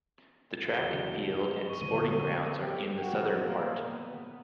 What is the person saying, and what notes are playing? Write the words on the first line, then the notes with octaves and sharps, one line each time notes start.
The track and field and sporting grounds are in the southern part.
E2 B2 F#3 G7
C#6
G#2 D3 F3 F#3 G#3 D#7
G4
F#4
A#3
B3